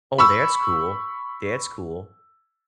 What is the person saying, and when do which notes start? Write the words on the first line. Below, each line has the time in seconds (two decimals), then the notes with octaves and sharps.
Oh, that's cool that's cool.
0.18 B5 C#6 E6